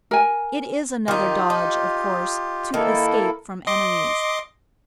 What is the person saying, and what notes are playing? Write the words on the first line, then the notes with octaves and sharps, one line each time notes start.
It is another dodge, of course, to escape from enemies.
A#4 G#5
D#3 D#4 F4 G4
D#4
D#3 A#3 E4 A4
D#5 C6 D6